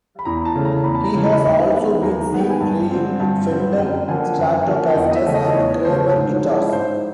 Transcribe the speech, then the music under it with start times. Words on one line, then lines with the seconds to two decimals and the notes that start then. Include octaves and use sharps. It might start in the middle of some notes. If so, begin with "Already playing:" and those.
He has also been seen playing Fender Stratocasters and Kramer guitars.
0.19 B5
0.25 E2 A#5
0.45 A5
0.55 C#3 E3 A3
0.65 A#5
0.84 E2 B5
0.95 A5
1.04 A#5
1.14 C#3 E3 A3
1.24 B5
1.44 D#2
1.72 D#3 G#3 B3
2.02 D#2 A#5
2.31 D#3 G#3 B3
2.39 G5
2.50 G#5
2.60 G2 A5
2.91 D3 G3 C4
3.20 G2 A5
3.49 D3 G3 C4
3.78 F#2 G5
4.08 D3 F3 A#3 G#5
4.38 F#2
4.66 D3 F3 A#3
4.89 G5
4.96 E2 F#5
5.11 D#5
5.15 E5
5.25 C#3 F3 A3 C#4
5.35 D#5
5.55 E2 C#5
5.84 C#3 F3 A3 C#4 C5
6.14 G#2
6.44 F3 G#3 C#4 E4
6.72 G#2 C5